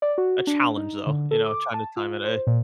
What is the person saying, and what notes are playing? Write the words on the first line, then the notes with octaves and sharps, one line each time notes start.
a challenge, though, you know, trying to time it, eh.
D5
F#4
D4
D#4
D3
A4
D6
A5
F4
C5
A#2